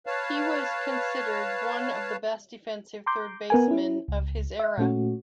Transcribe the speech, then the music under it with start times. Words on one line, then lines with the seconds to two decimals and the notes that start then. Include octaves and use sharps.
He was considered one of the best defensive third basemen of his era.
0.07 B4 C#5 F5 A5
3.06 A#5 C6 D6 G6
3.50 B3 A#4 G#5
3.68 C#4 E4
4.08 C#2
4.59 E5
4.78 A#2 A3 C#4 F#4